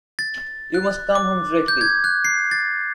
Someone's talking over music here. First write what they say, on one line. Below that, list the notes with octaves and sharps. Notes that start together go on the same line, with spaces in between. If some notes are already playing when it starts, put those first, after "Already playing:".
You must come home directly.
A6
F#6
D6
G6
G#6
F#6
C7
A6